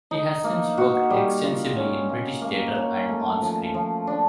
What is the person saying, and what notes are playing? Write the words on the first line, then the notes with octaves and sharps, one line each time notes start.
He has since worked extensively in British theatre and on screen.
D#4
A#3
F#4
G3
F4
C#4
A#3
A#3
C#4
A3
F3
F3
D4